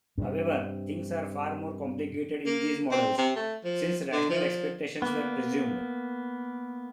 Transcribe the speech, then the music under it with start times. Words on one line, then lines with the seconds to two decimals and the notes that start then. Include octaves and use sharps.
However, things are far more complicated in these models, since rational expectations were presumed.
0.18 G2 C3
2.46 A#3
2.91 C4
3.18 C3
3.36 A3
3.64 F3
4.12 D3
4.30 F3
5.02 A#3 B3